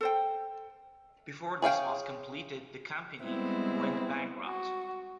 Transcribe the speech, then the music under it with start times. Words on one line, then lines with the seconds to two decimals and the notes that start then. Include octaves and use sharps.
Before this was completed, the company went bankrupt.
0.01 A4 C5 G5
1.62 G#4 C#5 F5 G5
3.22 G3 G#3 B3 C4 E4
4.45 F#4